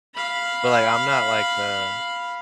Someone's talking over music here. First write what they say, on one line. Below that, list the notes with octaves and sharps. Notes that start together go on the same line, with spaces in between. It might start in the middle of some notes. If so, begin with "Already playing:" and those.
But, like, I'm not, like, uh
F5 B5